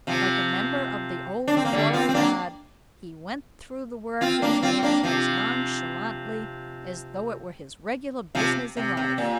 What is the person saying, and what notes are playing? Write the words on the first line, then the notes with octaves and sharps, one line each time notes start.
Like a member of the Old Choral Guard, he went through the work in hand as nonchalantly as though it were his regular business in life.
C3 F3
D4
C4
A#3
D3 G3
C4 F4
C4
A#3 D4
C4 F4
A#3 D4
C4 F4
A#3 D4
C3 F3
C3 F3
C3
C3
A#2